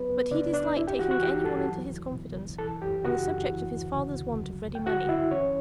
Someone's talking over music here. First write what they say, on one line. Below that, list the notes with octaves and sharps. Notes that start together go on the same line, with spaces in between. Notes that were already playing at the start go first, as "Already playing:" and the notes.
But he disliked taking any one into his confidence on the subject of his father's want of ready money.
Already playing: F#3 B3 B4
C#2
C#3 D4 D5
C#2 D4 D5
G2 E4 E5
G4 G5
E3 F#4 F#5
F#4 F#5
E3 G4 G5
G2 A4 A5
F#3
C#2
B2
C#2
E3 A4 A5
F#2 G4 G5
C#3 F#4 F#5
F#2
E3
D2
C#3
D2
F#3
G2
G5
D3 F#4 F#5
G2 E4 E5
E3 C#4 C#5